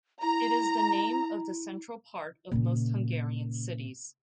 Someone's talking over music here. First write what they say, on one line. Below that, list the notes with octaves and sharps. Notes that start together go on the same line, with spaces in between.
It is the name of the central part of most Hungarian cities.
E4 A#5
A#2 C#3